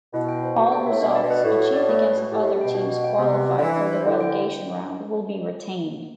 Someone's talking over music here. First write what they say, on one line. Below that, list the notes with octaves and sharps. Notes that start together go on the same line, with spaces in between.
All results achieved against other teams qualified for the relegation round will be retained.
B2 E4
G5
C5
B2 F#4
D3 G5
C3
A2 E5
B2 D4
D5
B2
B4
A2 F#4
F#4
D5
A3
B4
F#4
A2 G4
A2
G4
A2
B2 G5
F#4
F#4
G5
C3 B3
B4
F#4
D3
E3 D4
D4
C5
D3 E4
G5